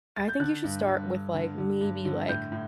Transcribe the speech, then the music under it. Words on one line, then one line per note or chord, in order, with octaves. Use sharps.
I think you should start with like maybe, like,
A6
G6
D3 F#6
G2
G2
G2
D3
D3
G2
D3
A2 G6
A2